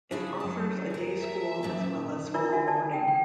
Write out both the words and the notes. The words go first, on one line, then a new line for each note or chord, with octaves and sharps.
It offers a day school as well as full boarding.
C#3 D4 E4 G#4
F#2 F#3 A5
G#4 A#4
E5
F#2 A#2
D4 E4 F4 A#4 D5 E5
F#4 E5 G#5
D5 A5
G5
G5